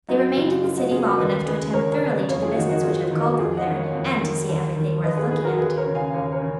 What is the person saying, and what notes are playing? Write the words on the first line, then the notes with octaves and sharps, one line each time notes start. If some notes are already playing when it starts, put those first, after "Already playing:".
They remained in the city long enough to attend thoroughly to the business which had called them there, and to see everything worth looking at.
F#2 D#4 F#4
C#3 F4
F#2 F4
D#4 F#4
C#3 F4 G#4
F#4 A#4
D#2 B4 D#5
C#3 G#4 B4
D#2 A#4 C#5
A#4 C#5
C#3
B4 D#5
F2 C#5 F5
F4 G#4
D#3 D#4 F#4
D#4 F#4
F2 F4 G#4
F4
D#3
D#4 F#4
F2 F4 G#4
D#5 F#5
D#3
C#5 F5
F2
D#3
D#2
D#3
D#2 B4 D#5
G#4 B4
D#3 G#4 B4
F#4 A#4
D#2 G#4 B4
A#4 C#5
C#3
F5 G#5
D#2 C#5 F5
A#4 C#5
C#3